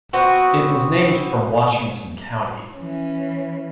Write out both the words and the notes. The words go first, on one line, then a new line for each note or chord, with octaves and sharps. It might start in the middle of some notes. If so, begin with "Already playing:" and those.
It was named from Washington County.
B3 C4 F#4
E3 C#4